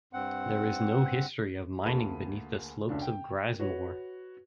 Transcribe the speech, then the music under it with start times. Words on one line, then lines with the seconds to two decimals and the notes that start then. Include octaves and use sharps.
There is no history of mining beneath the slopes of Grasmoor.
0.13 G2 C4 F#5
1.86 D2 A#3 G#4 A5 B5 D#7
2.89 D2 C#3 D4
3.02 G5
3.60 F#4 B4 C#5